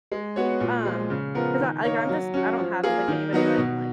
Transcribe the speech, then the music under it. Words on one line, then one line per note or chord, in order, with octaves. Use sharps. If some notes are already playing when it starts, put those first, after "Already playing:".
l um 'cause I like, I'm just I don't have like anybody that I can, like,
G#3
B3 F#4 C#5
A#2
F3 G#3
C#3
F3 B3 F4 A#4
D#3
A#3 D#4 A#4 C#5
F#3
C#4 F#4
F3
A#3 F4 G#4
D#3
F#3 B3 D#4 F#4
B2